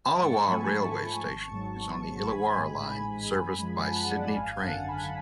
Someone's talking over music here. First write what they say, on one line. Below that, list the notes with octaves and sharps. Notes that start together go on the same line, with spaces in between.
Allawah railway station is on the Illawarra line serviced by Sydney Trains.
G#2 A5 C#6
F3 A3 G#5 B5
G#2 A5 C#6
F3 A3
G#1
G#2 F#3
G#1
G#2 F#3
A1 G#5 B5
G#2 G#3
A1 G#5 B5
G#2 G#3
F#2
F3 G#3
F#2 F#5 A5
F3 G#3 D5 F#5
G#1 F5 G#5
F#2 D3 F#5 A5
G#1 G#5 B5